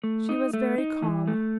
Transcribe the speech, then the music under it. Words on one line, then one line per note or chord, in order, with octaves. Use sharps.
She was very calm.
A3
D#4
A3
D#4
E3
A3